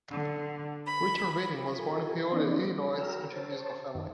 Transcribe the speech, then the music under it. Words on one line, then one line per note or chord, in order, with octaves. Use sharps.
Richard Whiting was born in Peoria, Illinois, into a musical family.
D3
B5
F4 G4 A4 A#4 G#5
E3 B3 C#4 D#4 D5
G3
F#4 A#4 G5 A#5 E6 F6
C5 C#5 A5
F#2 D#3